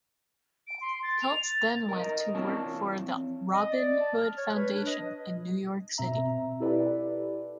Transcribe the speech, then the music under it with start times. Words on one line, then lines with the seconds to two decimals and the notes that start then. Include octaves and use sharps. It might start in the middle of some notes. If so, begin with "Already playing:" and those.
Peltz then went to work for the Robin Hood Foundation in New York City.
0.67 D7
0.81 C6
1.02 A6
1.21 F7
1.43 A6
1.89 A#4 D#5
2.35 E3 C4 C#5 A5
3.54 D#5
3.71 D5
4.01 A5
4.17 F6
4.37 C#5
4.56 B4
4.73 D4
4.87 D#5
5.98 B2 C4 E5 A#5
6.60 E4 G4 A4 B4 D5